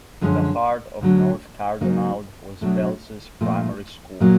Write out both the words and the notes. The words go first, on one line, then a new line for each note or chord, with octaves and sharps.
In the heart of north Cardonald was Belses Primary school.
F#2 D3 F3 G#3 C#4
D2 D3 F#3
C#3 F#3 A#3 D#4
B2 F#3 A3 D4
A#2 F3 A3
A#2 F#3 A#3 D#4